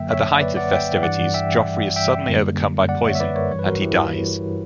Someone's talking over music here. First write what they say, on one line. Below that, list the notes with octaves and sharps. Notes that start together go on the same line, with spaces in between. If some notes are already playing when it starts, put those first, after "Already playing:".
At the height of festivities Joffrey is suddenly overcome by poison, and he dies.
Already playing: F#2 D3 F#3 A#3 E5 G5
C#5 E5
B4 D5
D5 F#5
E5 G5
G2 E3 G3 D5 F#5
E5 G5
E5 G5
F#2 D3 G3 A#3
D5 F#5
C#5 E5
E5
B4 D5
A#4 C#5
G2 E3 G3 C#5
B4
F#4 A#4
E4 G4